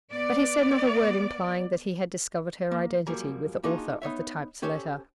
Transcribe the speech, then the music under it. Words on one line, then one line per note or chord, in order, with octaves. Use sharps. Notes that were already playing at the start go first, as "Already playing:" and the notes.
But he said not a word implying that he had discovered her identity with the author of the typed letter.
B3 D5
A#3
F#2 F3 G3 A#3 G#4 A#5
A#3 D4 D#4 F4 F#4 G#4
B3 D#4 C#5 E5
C#4 G4 A4 C5 C#5